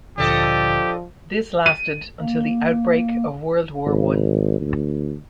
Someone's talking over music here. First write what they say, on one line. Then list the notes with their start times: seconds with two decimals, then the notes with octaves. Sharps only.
This lasted until the outbreak of World War One.
0.18 D2 A#2 D3 F3 D4 G4 A4 D#5
1.66 D#7
2.21 A#3
3.86 G#1
4.61 D2